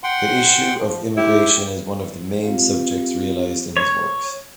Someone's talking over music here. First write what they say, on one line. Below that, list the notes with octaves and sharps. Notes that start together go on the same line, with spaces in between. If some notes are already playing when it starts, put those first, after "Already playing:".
The issue of immigration is one of the main subjects realised in his works.
F#5 G5 C6
F3
E4 G4
C4 F4 G4 F5
C#5